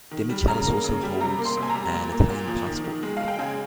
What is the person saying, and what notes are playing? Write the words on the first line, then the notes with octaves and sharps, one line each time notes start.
Demichelis also holds an Italian passport.
D#3
G3
C#3 A#5
A#3
C#3
G3
C3 A#5
A#3
C6
C3
G#5
A#5
G3
A#2
A#3
A#2
F3
D#3
D#3
G#3
G#3 F5
G5
C#3 G#5